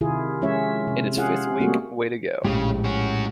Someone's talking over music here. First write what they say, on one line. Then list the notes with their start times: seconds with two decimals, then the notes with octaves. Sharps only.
In its fifth week Way to go!
0.01 C3 D#3 E4 F4 G#4
0.41 F3 G#3 C#4 F4 C#5 E5
0.87 C3
1.17 C#4 F4 G#4 F5 F#5
1.60 G3 A3 A#3 C4 F#4 G#4
2.44 A#1 A2 C#3 G#3 G4
2.85 C#4 F#4